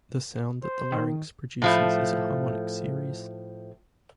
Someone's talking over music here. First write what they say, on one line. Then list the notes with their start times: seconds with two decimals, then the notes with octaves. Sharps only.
The sound that the larynx produces is a harmonic series.
0.63 C5
0.92 D#3
1.62 A2 F3 A3